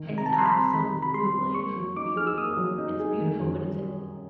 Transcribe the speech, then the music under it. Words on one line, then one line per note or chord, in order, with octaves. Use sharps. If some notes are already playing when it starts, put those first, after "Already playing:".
It's absolutely beautiful. It's beautiful, but it's a
Already playing: D#3
C3
A#5
A5
G3 A#5
C6
B5
C4
D#3 B5
C3
B5
G3 C6
C4
A#3 C#6
F#3
D#4 D6
G#4 F6
E6
A#3 D#6
F#3
D#4
G#4
D#3
F#2
G3